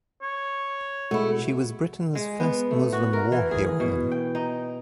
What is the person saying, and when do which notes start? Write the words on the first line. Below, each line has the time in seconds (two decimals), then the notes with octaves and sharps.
She was Britain's first Muslim war heroine.
0.22 C#5
1.11 B2 G#3 A3 E4 F#4
2.15 G#3
2.40 B3
2.71 A3
2.93 F#4
3.13 A#4
3.32 E3
3.51 G#4
3.80 B2
4.12 G5
4.35 D#4